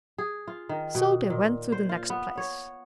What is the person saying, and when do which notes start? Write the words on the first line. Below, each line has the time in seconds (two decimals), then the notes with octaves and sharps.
So they went to the next place.
0.18 G#4
0.48 F4
0.69 D#3
0.95 B2
1.30 A#2
1.72 C5
1.89 F4
2.10 B3
2.38 C#5